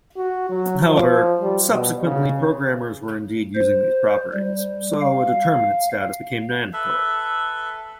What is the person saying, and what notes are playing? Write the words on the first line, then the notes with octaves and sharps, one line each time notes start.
However, subsequently programmers were indeed using these properties, so a determinate status became mandatory.
F#4
F#3
F3
G3
B2
C#3
C5
G3
F5
A4 B4 E5